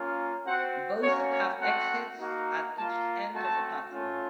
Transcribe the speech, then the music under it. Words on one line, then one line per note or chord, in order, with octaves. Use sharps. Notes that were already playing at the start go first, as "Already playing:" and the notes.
Both have exits at each end of the platform.
Already playing: A#3 C#4 F4
C4 F#4 F#5
A#3 C#4 F#4 C#5
C#5
A3 C4 F#4 F#5
A#3 D#4 F#4
A#3 F4 A5
A3 C4 F#4 A5
A3 C#4 F4